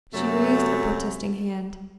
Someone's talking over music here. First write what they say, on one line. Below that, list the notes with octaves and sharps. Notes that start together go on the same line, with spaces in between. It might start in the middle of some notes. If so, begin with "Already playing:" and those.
She raised a protesting hand.
F#2 C3 F#3 A3